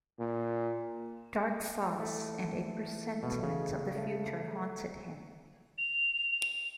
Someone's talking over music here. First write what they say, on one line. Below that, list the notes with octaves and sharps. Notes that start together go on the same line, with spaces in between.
Dark thoughts and a presentiment of the future haunted him.
A#2
E3 A3
B2
C#3
A3
F7